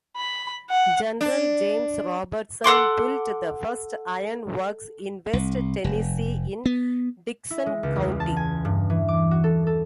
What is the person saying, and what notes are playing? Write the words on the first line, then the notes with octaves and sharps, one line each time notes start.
General James Robertson built the first iron works in west Tennessee in Dickson County.
B5
F#5
D4
A4 F#5 C6 D6
C2
F1
B3
E4
G#3
C#2
E2
A5
G#5
G2
E3
D6
F#4
A4
A4